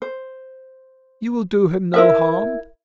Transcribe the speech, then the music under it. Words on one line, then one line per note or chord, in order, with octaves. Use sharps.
You will do him no harm.
C5
E4 A#4 E5